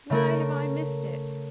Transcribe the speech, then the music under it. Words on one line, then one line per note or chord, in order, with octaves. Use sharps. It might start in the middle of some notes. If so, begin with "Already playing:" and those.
Why have I missed it?
C#3 A3 A#4